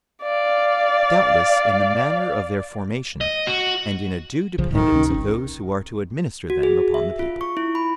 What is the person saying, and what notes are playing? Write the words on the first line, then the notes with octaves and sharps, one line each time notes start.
Doubtless in the manner of their formation, and in a due dependence of those who are to administer them upon the people.
D5 F5
D#5
F#4
A#1 C#3 F3
D1 A2 D#3
C#2 C3 C#4
G1 C#4
F#4
G#4
E5
F4
C#6
E4
B5